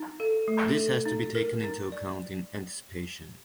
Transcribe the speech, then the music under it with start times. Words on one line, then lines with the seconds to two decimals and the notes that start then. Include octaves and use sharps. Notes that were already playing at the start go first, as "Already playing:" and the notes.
This has to be taken into account in anticipation.
Already playing: D#4
0.20 A4
0.48 A3
0.77 A4
1.06 D#4
1.35 A#4
1.64 D#4
1.92 D5